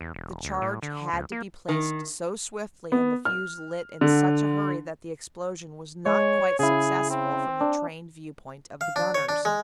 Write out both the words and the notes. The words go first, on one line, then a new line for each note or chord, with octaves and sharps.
The charge had to be placed so swiftly and the fuse lit in such a hurry that the explosion was not quite successful from the trained viewpoint of the gunners.
E2
E1
D2
A2
D3
C#2
A#3
D#3
B3
F6
D3
G#3 C#5
C#3 E4 G#4
C4
D4
F5
D4
C#5
D4
G#3